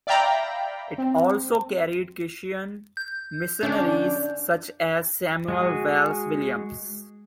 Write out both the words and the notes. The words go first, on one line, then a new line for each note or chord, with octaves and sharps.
It also carried Christian missionaries such as Samuel Wells Williams.
D5 E5 F5 G5 A#5 B5
C4
G6
D3 C#4 D4 F5
G#3 F#4 G#4